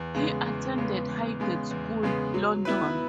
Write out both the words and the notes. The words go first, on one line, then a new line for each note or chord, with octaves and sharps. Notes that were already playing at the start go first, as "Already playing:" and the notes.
He attended Highgate School, London.
Already playing: E2
C#3 G#3 B3
E2
C#3 G#3 B3
E2
C#3 G#3 B3
E2
C#3 G#3 B3
F#3
B3 E4 B4